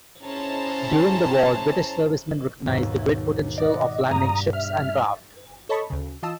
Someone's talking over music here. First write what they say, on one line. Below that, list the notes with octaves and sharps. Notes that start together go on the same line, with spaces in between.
During the War British servicemen recognised the great potential of landing ships and craft.
C#4 E4 G#4 C5 A5 A#5
D#2 G#2 B2
D5 D#5 F#5
G2 A#5 D#6
E5 F6
A4 C#5 D#5 A5 B5 C#6
D2 C#3
E3 F4 D#5 A5 E6